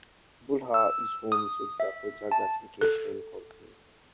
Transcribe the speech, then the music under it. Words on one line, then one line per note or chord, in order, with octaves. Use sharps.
Beulah is home to the Dakota Gasification Company.
E6
D#6
E5
A5
A4